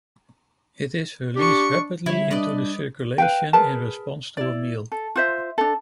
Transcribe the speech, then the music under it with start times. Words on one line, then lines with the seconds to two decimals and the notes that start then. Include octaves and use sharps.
It is released rapidly into the circulation in response to a meal.
1.36 D4 G4 C#6
2.06 D3 G3 E4 C#5
2.31 G3 D4 B4 D5 D#5
3.18 B4 F5 G5
3.53 G#4 A#4 B4 A5
4.37 E4 D5
4.92 A4
5.16 F4 C5 E5
5.58 D4 A4